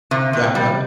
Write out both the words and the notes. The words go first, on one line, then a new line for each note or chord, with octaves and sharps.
Yeah, go ahead.
C3
C3
G3